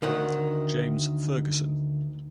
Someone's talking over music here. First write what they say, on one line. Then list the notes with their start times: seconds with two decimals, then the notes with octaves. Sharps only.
James Fergusson.
0.02 D2 D#3 F#5